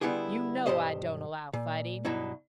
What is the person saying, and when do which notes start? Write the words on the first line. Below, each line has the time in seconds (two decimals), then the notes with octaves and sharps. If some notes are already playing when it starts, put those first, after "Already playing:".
"You know I don't allow fighting."
0.01 D3 G3 B3 E4 G4 G#4
0.66 B1 G2 B2 G4 C5 D#5
1.53 A#2
2.05 G2 B2 F#3 D#4 E4